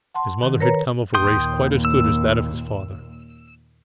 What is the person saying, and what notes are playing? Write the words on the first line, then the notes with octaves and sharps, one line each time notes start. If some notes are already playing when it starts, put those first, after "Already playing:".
His mother had come of a race quite as good as that of his father.
F#5 A5 C6
D#3
A#4 B4 C#5 A#5
D#2 A#2 G5 C6 D#6
E6